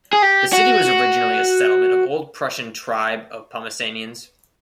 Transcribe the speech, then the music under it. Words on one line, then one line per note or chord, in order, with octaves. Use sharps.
The city was originally a settlement of Old Prussian tribe of Pomesanians.
G#4
G4
F#4